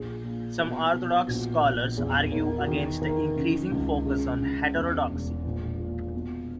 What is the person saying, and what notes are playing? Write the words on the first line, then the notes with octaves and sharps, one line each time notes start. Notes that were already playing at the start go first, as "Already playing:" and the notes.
Some orthodox scholars argue against the increasing focus on heterodoxy.
Already playing: A#1 G#4
A#2
B2
B2
A#1 F#4
A#1
E2 G#4
E2 A#4
F#4
D#3 G#4
D#3 A#4
C#3
C#2
C#3 G#4
C#3
E2
E1
A#1
A#2
B2